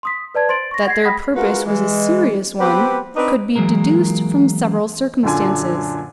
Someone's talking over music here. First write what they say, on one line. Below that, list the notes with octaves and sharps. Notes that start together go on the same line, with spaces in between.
That their purpose was a serious one could be deduced from several circumstances.
C6 D#6 B6
B4 D5 A5 G#6
C5 C6 A6 D7 F#7
C#6 A#6
F#5 G#6 A#6 C7
F#5 G5 B5 D#6 A#6 B6
G#3 F4 F#4 A#4 B4
E3 G#3
B3 C4 G4 B4 C5
C4 D4 D#4 B4
E3 F#3 G#3 A#3 A#4
F#2 A#2 D3 D4 G#5